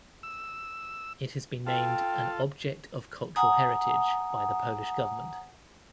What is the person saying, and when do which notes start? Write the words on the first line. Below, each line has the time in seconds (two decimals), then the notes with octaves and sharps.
It has been named an "object of cultural heritage" by the Polish government.
0.23 E6
1.67 F4 A4 G5
3.36 F#5 G#5 A#5 D#6